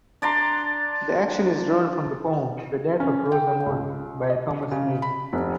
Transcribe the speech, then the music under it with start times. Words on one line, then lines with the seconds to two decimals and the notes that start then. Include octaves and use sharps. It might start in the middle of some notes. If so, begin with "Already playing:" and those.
The action is drawn from the poem "The Death of Rosamond" by Thomas May.
0.22 D4 D5 A#5 C6
3.00 C#4
3.32 G5
3.66 C#2
4.30 D#5
4.71 C#3
5.02 B5
5.33 F1